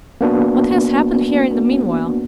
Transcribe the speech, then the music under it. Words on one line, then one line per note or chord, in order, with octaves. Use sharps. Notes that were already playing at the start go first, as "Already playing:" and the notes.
"What has happened here in the meanwhile?"
A#3 B3 D4 F#4